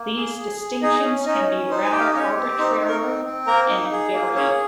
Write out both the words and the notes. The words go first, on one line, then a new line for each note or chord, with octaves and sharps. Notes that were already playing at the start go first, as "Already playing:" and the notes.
These distinctions can be rather arbitrary and variant.
Already playing: A#3
G#4
G#4
G#4
D#4 G#4 D#5
C#4
C#4 D#4 D#5
C#4
D#4 C5
G#5
G4 G5
F5
D#5
C#4 G4 C#5
C4
D#4 C5
D#4
A#4
C4
C4
A#3 A#4 A#5
D#4
G#4
A#3
C#4 G#4 C#5